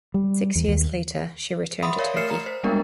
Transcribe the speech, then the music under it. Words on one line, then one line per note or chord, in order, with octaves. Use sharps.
Six years later she returned to Turkey.
G3
E2
D#2
E5 F#5 B5 C6 D#6
A#4 C#5 D5 E5 F5
A3 A#4 F6 C7 C#7 E7
A#5
C5
G3 G#3 A#3 B3 D4 A#4